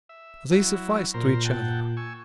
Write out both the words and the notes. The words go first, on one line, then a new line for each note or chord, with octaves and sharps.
They sufficed to each other.
E5
F#3 E4
A#2 A#4 C5
F#5 G5 A5
G#5 C#6 E6